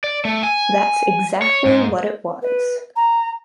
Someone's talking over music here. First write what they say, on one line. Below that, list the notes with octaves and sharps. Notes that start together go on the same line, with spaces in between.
That's exactly what it was.
D5
A3
G#5
C#5
G#2
B4
A#5